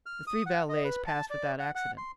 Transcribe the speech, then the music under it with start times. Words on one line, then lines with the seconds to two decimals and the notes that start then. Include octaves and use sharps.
The three valets passed without accident.
0.06 F6
0.27 D#6
0.46 F#5
0.69 D#5
0.84 B4
1.07 A5
1.30 D5
1.59 F#5
1.75 F#5
1.98 C6